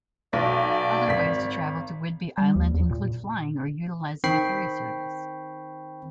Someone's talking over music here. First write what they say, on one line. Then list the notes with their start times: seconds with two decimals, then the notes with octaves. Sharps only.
Other ways to travel to Whidbey Island include flying or utilizing a ferry service.
0.33 B1 F#4 D5
1.08 G#1 B6
2.38 G3
2.56 D#2
2.74 E2
2.91 A#2
4.24 D#3 C4 G5 B5 C#6 C7